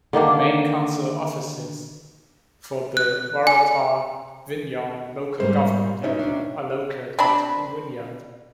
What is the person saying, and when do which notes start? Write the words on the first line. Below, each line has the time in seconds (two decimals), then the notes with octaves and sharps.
The main council offices for the Waratah-Wynyard local government area are located in Wynyard.
0.13 D3 D#3 A#3 D4
2.97 F#6
3.47 G#5
5.40 G#2 G3 A#3 C5
6.03 C#4 D#4 E5
6.19 D2 D4
7.19 C4 D4 B5